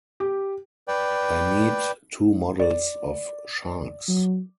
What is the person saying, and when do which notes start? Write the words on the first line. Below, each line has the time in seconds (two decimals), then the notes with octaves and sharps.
I need two models of sharks.
0.20 G4
0.88 B4 D5 G5
2.60 D5
4.08 F#3